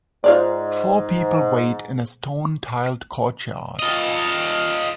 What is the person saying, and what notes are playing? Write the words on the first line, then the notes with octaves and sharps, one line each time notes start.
Four people wait in a stone tiled courtyard.
G#2 F4 C#5 D5
F4 D#5